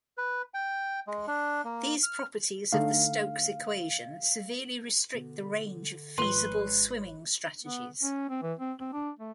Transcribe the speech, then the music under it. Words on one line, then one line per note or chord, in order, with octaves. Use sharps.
These properties of the Stokes equation severely restrict the range of feasible swimming strategies.
B4
G5
G#3
D4
A#3
F6
D3 A3 D#4 F5
B2 D3
G#1 F3 G#3 B4 C#5 C6 G7
B3
C#4
C4
E3
C4
C4
D4
A3